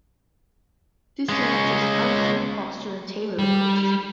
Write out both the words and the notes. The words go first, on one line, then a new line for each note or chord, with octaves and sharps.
This left just Allerston, Foster and Taylor in post.
G#3 C#4
G3